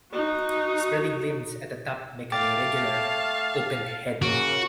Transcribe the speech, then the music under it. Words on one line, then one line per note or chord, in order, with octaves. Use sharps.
Spreading limbs at the top make an irregular, open head.
D#4 F#4
A3 F5 G5 A5 D6 A6
C#3 A#3 F#4 D7